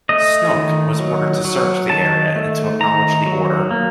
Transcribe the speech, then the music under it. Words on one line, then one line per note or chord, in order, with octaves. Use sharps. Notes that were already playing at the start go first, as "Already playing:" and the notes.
"Snook" was ordered to search the area and to acknowledge the order.
A3 D#5
D#3
F#3
F#3
D#3 A5
A3
D#3 A#5
F#3
A#3